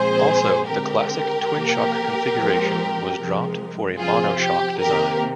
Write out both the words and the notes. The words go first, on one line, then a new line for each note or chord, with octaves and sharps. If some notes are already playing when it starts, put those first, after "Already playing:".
Also, the classic twin-shock configuration was dropped for a mono shock design.
Already playing: A#2 F3 G#3 C4 G#4 C5
D3 G#3 C4 G4 A#4
C3 F3 A#3
A#2 F3 G#3 C4
C3 F3 G#3
C3 F3 C4 F4 G#4
G4
C3 D#3 A#3 G4 A#4